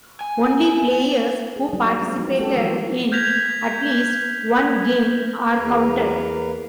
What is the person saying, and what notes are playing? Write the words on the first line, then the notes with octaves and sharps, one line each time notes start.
Only players who participated in at least one game are counted.
G#5
G#4
F#3 G3 D4 D#4
G#3 C4 F4
F3 B3 C4 D#4 F#4
G#3 C4 C#4 F#4 G4 A4
E3 F3 G3 A#3 F4 F#4
F6 G6 G#6 A#6 B6 F7
E2 A#3 A#4 B4 F5